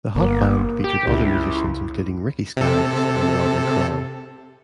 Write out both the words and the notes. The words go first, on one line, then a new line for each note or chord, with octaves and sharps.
The Hot Band featured other musicians including Ricky Skaggs and Rodney Crowell.
G1 A#3
G4
C#2 E4
C3 A4